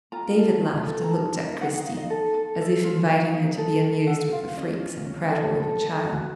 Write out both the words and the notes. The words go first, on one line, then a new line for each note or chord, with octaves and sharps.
David laughed and looked at Christie as if inviting her to be amused with the freaks and prattle of a child.
F4 A#5
A4
F4
A4
A#5
D#4 A5
A#4
D#4 F#5
F#5
D#4 F5
D#5
A4
A4
A4
F4
D#4 F5
D#4
A4
A4
A4 F#5
F4 F5
C#4 D#5
F4
C#4
A4
A4
A4
F#4